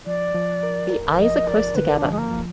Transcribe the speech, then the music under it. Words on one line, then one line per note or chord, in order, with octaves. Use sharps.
The eyes are close together.
F3 D5
F3
A#4
A#4
F3 D#5
A#4 D5
D3 B4
D4
F3
G#3
A#3
F3